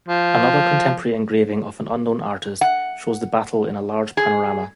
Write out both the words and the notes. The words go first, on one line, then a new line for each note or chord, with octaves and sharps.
Another contemporary engraving of an unknown artist shows the battle in a large panorama.
F3
F#5
G#4